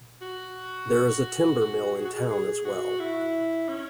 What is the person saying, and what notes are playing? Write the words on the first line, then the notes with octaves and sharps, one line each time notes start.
There is a timber mill in town as well.
F#4
F#4
G#4
F#4
G#4
G#4
F#4
E4
C#4